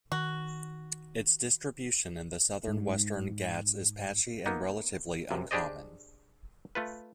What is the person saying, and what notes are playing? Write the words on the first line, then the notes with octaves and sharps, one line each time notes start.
Its distribution in the southern Western Ghats is patchy and relatively uncommon.
D#3 F#4
G#2
A#3 B3 D#4
F#2 C3
D4 G4 G#4 C5 D5 D#5
A3 F4 B4